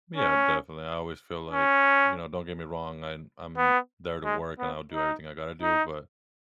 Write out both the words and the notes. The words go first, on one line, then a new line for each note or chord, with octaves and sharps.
Yeah. Definitely. I always feel like you know, don't get me wrong. I'm I'm there to work, and I'll do everything I gotta do. But
C#4
C#4
B3
G#3
B3
D#4
D#4